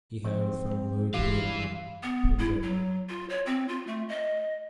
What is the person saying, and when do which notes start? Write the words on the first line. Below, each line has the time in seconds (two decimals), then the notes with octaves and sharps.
He hails from Ludhiana, Punjab.
0.25 F3 C4 C5
1.14 E3 F#4 G4 F5 C6
2.03 B3
2.39 E4
2.63 F#3
3.09 F4
3.29 C#5
3.46 C4
3.68 F4
3.87 A3
4.09 D#5